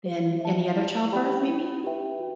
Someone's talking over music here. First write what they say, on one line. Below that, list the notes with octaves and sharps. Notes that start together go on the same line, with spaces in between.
than any other childbirth, maybe?
C5
E5 A5
E4
G4 D5 G5 B5
E4
G4 B4 E5 G5
F#4